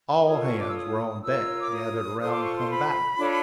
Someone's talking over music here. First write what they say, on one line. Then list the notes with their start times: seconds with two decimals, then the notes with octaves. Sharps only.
All hands were on deck, gathered around the combatants.
0.25 F4 A4 C#5 D#6
0.41 C#6
0.58 D6
0.67 E6
0.74 D#6
1.22 F4 A#4 C#5 E6
1.59 D6
1.71 D#6
2.20 F4 A4 C5 D#6
2.31 D6
2.44 C#6
2.56 C6
2.68 B5
3.17 D4 F4 A4 C#5